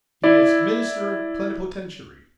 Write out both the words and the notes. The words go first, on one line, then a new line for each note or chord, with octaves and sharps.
He is minister plenipotentiary.
E4 D5